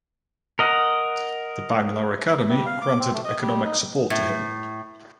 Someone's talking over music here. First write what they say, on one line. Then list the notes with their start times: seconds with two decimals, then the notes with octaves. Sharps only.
The Bangla Academy granted economic support to him.
0.59 A#4 D#5 F#5
2.49 G3
2.66 F5
2.82 D6
2.99 C4
3.13 A3
3.25 D#5
3.41 G3
3.65 D#4
4.10 A2